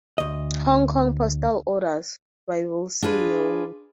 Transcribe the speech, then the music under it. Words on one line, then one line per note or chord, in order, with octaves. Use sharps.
"Hong Kong Postal Orders" by Wilson Yeung.
D2 D#5
D4 F4 G#4 B4